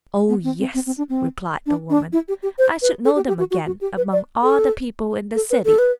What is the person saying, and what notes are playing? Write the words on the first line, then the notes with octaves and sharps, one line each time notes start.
"Oh yes," replied the woman, "I should know them again among all the people in the city."
B3
C4
C4
C4
C4
D4
C4
D4
D4
E4
G4
G4
C5
B4
A4
G4
G4
F#4
F#4
F#4
G4
B4
D5
A4
A4
B4
A4
B4